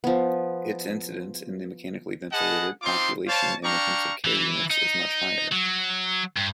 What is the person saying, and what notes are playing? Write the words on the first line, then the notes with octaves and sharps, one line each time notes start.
Its incidence in the mechanically ventilated population in intensive care units is much higher.
F3 B3
G#4 B4 D#5 F#5 A5
C4 D#4 F4 C6 D6
C5 C#5 F5 A5
D4 F5 G5 A#5 C#6
E3
D#4
F#3
G2